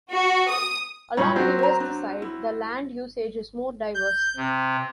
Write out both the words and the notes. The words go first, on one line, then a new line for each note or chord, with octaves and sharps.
Along the west side, the land usage is more diverse.
F#4
D#6
G2 C#4 F4 B5
F#3 C4
C5 A#5
D4
E4
G6
C3